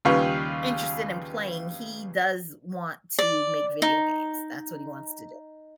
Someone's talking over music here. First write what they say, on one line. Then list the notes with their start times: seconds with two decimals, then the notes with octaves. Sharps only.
interested in playing. He does want to make video games. That's what he wants to do,
0.05 D#2 C#3 G3 F4 B4 C#6
3.19 D5
3.82 D#4